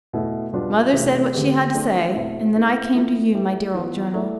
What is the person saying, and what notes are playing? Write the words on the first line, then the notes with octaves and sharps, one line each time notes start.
Mother said what she had to say, and then I came to you, my dear old Journal.
B2 A3 E4
B2 G3 D4 F4 B4
C3 E3 A3 C4 G4
D3 A3 C4 G4 B4
F3 A3 D4 F4
B2 A3 C4 E4
A3 C4 E4 A4
F3 A3 E4 B4
A3 E4 G4 B4
E3 B3 F4
A3 E4 A4 D5